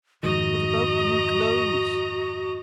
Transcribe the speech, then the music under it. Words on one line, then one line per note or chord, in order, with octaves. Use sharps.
"What about the new clothes?"
F2 G#2 D#3 F#4 D#5 A#5